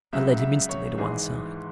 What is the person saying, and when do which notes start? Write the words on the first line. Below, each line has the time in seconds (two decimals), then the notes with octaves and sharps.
I led him instantly to one side.
0.13 C#2 C#3 F#3 E5
0.41 E5
0.69 C#5
0.97 G#1 G#2 E3 G#4